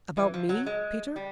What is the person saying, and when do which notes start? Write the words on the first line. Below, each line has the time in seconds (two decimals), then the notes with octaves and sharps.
"About me, Peter?"
0.17 E3
0.34 F3
0.49 F#3
0.66 G#3
1.16 G3